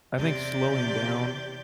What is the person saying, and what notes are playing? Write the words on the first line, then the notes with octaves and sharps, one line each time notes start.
I think slowing down
E2 C3 G4 D5 G6